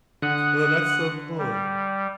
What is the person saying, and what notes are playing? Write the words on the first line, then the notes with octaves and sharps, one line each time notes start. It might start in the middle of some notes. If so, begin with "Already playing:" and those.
Well, that's so cool.
D3 F#5 D#6 F#6
G3